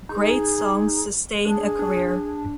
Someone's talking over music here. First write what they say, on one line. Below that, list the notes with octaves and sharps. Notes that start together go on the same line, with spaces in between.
Great songs sustain a career.
D#4 G#4
D4 G#4
D4